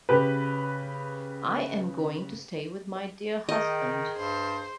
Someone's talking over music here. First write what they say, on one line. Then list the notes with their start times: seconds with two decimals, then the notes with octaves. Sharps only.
I am going to stay with my dear husband.
0.09 C#3 G4 B4
3.49 D#3 G#4 D#5 G5
4.17 G2 C5